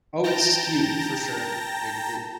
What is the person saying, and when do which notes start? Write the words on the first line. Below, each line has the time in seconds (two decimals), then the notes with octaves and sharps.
Oh, it's skewed for sure. Like, it
0.24 G5 A5 A#5 G6 A#6